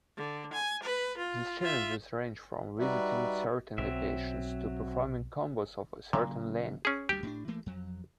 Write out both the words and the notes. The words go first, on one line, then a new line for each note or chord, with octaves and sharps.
These challenges range from visiting certain locations to performing combos of a certain length.
D3
G#5
B4
F4
F4 E5
G3 D#4 F#4 B4 D5 E5
B1 F#3 C4 E5
A#2 C#3 F#3 A#3
C#4 G#4
D2 G3 G4
A2 B3 D4
E3 A3 A#3
F2 F#3